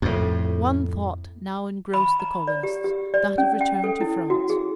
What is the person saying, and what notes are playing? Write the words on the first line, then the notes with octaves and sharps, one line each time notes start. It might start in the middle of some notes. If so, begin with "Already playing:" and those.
One thought now engrossed the colonists, that of return to France.
F2 A2
B5
A#5
D5
G4
G4
D5
C#4
G5
A4
E4
F#4
G#4